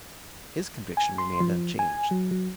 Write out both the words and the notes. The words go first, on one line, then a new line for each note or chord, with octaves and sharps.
His conviction remained unchanged.
G#5
C6
F3
G#5
F#3
F#3